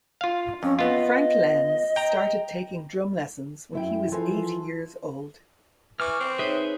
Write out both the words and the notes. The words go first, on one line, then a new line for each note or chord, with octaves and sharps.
Frank Lenz started taking drum lessons when he was eight years old.
F4 F5
F2 C#4
B3 F4 D#5
G5 A#5
F#2 E4 G5
E3 F3 G#4 A4 C5 G#5
E3 C#6 D6 F6
C4
D#4 G#4 B4 C#5 E5